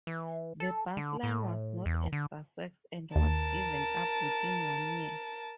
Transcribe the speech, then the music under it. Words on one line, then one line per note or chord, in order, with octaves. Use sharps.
The bus line was not a success and was given up within one year.
E3
A4
D3
A2
E2
D3
D#2 A#4 A5